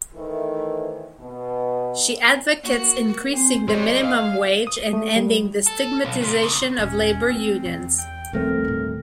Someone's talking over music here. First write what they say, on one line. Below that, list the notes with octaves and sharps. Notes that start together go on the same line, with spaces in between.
She advocates increasing the minimum wage and ending the stigmatization of labor unions.
D#3 E3 A3 E4 C5
B2 B3
A#3 F#4
C4 C5 G#5
G3 G#4 C5 C#5 D#5 C6
G#4 F5
D#6
A3
G3
A4
B1
C#2 A#2
A#2 C#3
D#1 D#2 C#4
A3 C4 E4
E2
G5
D#1 F3 A3 C4 A#4
A2 D3